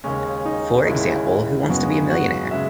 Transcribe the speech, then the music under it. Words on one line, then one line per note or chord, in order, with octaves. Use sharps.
For example, Who Wants to Be a Millionaire?
D#2 C#3 G#3 C#4
D#4
D#2 C#3 G#3 E4
F#2 C#3 G#3 B3 F#4
F#4
C#3 G#3 E5